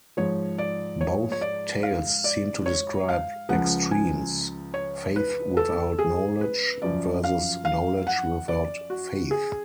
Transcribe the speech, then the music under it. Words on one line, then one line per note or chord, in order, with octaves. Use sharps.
Both tales seem to describe extremes, faith without knowledge versus knowledge without faith.
G#2 F3 C#5
D5
C#5
C#5
D5
F5
D5
C#5
F5
C#2 C#3 F3 F#5
G#5
C#5
B4
A4
G#4
B4
F#2 F3 D5
F5
F5
F#5
D5
F#4
G#4